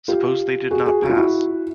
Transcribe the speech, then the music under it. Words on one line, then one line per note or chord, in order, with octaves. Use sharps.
Suppose they did not pass!
F4 G4
F#4 G#4
F#4 G#4
F#4
F4
E4 F#4